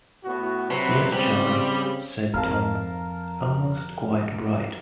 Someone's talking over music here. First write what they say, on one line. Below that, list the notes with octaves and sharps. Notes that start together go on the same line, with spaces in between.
"Yes, Charley," said Tom, "almost quite bright."
A2 B3 F#4
C3 F#3 F#4 B4
C#3 G3 C4
F2 A#4 F5 A5